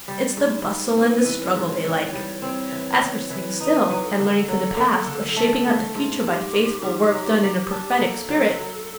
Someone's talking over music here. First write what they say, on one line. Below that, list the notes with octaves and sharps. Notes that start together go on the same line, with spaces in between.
It's the bustle and the struggle they like. As for sitting still, and learning from the past, or shaping out the future by faithful work done in a prophetic spirit--Why!
G3
G#2
G3
C4 B4
E3
C#5
G#2
E3
G3
C4
E3
E3
E3
D#4 B4
F#3
A4
D3
F#3 A4
A#3
D3
A3
A3
G#2
G#2 G4
G#2
G#2
F#3
F#3
D4
A#3 A4
F#3
F#3